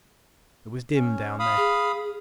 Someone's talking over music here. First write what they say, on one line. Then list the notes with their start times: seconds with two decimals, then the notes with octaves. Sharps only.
It was dim down there.
0.95 C#4
1.39 F5 B5 D#6
1.57 G#4